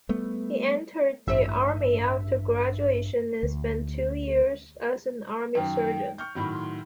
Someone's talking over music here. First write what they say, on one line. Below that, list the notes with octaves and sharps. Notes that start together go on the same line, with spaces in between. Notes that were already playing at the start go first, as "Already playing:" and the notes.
He entered the army after graduation and spent two years as an army surgeon.
G3 A3 B3
A1 G2 E5
D2
F#2 D#3 G5
C#6 F6 G6
A2 D#3 F#3 B5
C6